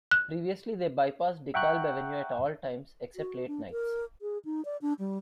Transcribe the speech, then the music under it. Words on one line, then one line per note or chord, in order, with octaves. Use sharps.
Previously, they bypassed DeKalb Avenue at all times except late nights.
F#6
E5 F#5 G5 A#5 C#6 F#6
F#4
D4
A#4
G#4
D#4
D5
D4
G3